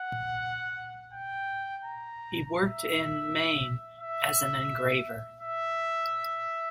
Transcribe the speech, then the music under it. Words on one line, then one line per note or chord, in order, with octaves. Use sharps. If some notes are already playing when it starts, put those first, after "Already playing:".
He worked in Maine as an engraver.
Already playing: F#5
G5
A#5
E5
E5
E5